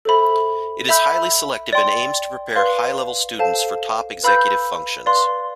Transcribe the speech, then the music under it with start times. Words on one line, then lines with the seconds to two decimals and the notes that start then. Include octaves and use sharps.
It is highly selective and aims to prepare high-level students for top executive functions.
0.05 A4 C5 E5 B5
0.89 E5 B5 E6 G6
1.73 D5 G5 C6
2.56 B4 D5 F5 C6
3.39 A4 C5 F5 A5
4.24 B4 F5 B5 E6 G6
5.06 B4 D5 F5 C6